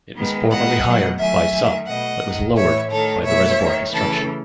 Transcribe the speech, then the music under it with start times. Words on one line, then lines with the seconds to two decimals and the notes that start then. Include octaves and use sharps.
It was formerly higher by some but was lowered by the reservoir construction.
0.16 D#3 G#3 B3
0.51 D#3 G#3 B3 D#5 F#5
0.85 B2 F#3 A3
1.19 D#3 F#3 A3 E5 G#5
1.53 D#3 A3
1.87 B2 A3 D#5 F#5
2.22 D#3 A3
2.55 A2 E3 A3 C#5 E5
2.90 D#3 A3 A4 C#5
3.24 B2 A3 C#5 E5
3.59 D#3 A3
3.92 C#3 E3 A3 A4